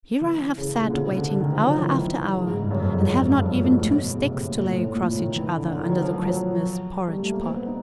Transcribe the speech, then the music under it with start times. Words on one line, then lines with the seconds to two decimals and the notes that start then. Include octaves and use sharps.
"Here I have sat waiting hour after hour, and have not even two sticks to lay across each other under the Christmas porridge-pot."
0.21 E3
0.58 C#3
0.75 A#2
0.89 D3
0.93 C#3
1.05 C3
1.17 D3
1.29 D3
1.41 D#3
1.52 F3
1.63 F#3
1.73 F3
1.82 E3
1.90 D#3
2.35 C#3
2.47 G#2
2.59 G2
2.71 F#2
2.82 F2
2.94 F#2
3.06 G#2
3.18 F#2
3.29 G2
3.41 F2
3.53 A2
3.64 G#2
3.76 A2
3.88 B2
4.01 B2
4.13 C#3
4.24 C3
4.48 A#2
4.59 A2
4.71 A2
4.82 A#2
4.95 A#2
5.07 A2
5.19 D#3
5.36 E3
5.55 D3
5.65 D3
5.78 D#3
5.89 F#3
6.01 F3
6.13 F3
6.26 F#3
7.08 G3
7.19 A3
7.31 A#3
7.43 C4
7.56 B3
7.67 D#4